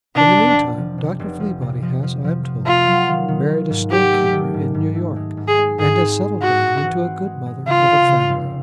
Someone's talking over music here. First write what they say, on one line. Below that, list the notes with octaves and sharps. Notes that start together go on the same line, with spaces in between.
In the meantime, Dr. Fleabody has, I am told, married a store-keeper in New York, and has settled down into a good mother of a family.
C3 D4
F1
C3
F3
C3
F1
F3
C3
F3
F3
F3
F3
A3 F4
F#3
D#3
D#3
D#3
G#2
F#3 G4
A3
D#3
G#2
G#2
A3
G#3
G#2
G#4
G#3
G#2 G#4
C4
G#3
G#3 F#4
G#3
E3
C4
G#3
G#3
C#3 F4
C#3
C#3
F1